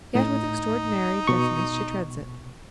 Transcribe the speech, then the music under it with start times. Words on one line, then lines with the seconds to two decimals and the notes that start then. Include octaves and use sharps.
Yet with extraordinary deftness she treads it.
0.15 A2 D#4
1.27 B2 C#6